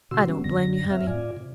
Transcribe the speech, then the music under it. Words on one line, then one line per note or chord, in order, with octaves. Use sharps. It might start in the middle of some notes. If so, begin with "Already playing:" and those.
I don't blame you, honey.
A#2 C#3 F#4 C6 E6
F#3 G3 B3 C#4
F#2 D3 A#6
F#2 C4 E5 F6
A2 F4 D5 G#5
C3